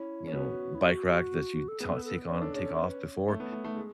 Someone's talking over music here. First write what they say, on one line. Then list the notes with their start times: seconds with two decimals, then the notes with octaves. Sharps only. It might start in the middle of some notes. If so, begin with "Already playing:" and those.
you know, bike rack that you ta take on and take off before,
Already playing: C#4 E4
0.27 C#4
0.32 B3 F#4
0.75 E4
0.81 F#4
1.68 A4
1.79 B3 G#4
1.92 A4
2.05 A4
2.25 A4
2.29 C#4 B4
2.41 D4 A4
2.53 C#4 G#4
2.66 A4
2.78 C#4 B4
3.28 A3
3.40 B3
3.52 A3
3.64 A3
3.76 G#3